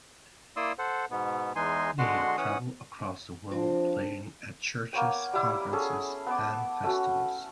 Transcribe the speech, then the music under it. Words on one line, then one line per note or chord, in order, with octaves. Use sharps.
They have traveled across the world, playing at churches, conferences, and festivals.
A#3 E4 D5 C6 D#6 E6
A4 C5 F#5
G#2 B2 B3
E2 E3 G#3 D#4 G#5 C6
D3 G#3 F#4 F#5 C6
E3 C#4 F#5 D#6
F3 C4 D4 F4
A#3 B3 C#5 G5
G3 E4
C#4 G#4 A4
B3 A5 D6
A3 C#4 F#4